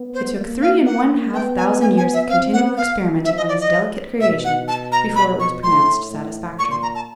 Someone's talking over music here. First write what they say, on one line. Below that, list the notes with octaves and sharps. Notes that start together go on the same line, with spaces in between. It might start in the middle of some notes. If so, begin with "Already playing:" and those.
It took three and one-half thousand years of continual experimenting on this delicate creation before it was pronounced satisfactory.
Already playing: B3
C5
A#3
F5
A#3 F#5
B3 G5
G#5
G#5
G#5
E5
C4 F5
F#5
B3 F5
F3 E5
D#5
D5
D#5
B2 E5
F#5
A5
A#5
B5
C#6
A2 C6
A2
A#2 C#6
C6
A#5
A5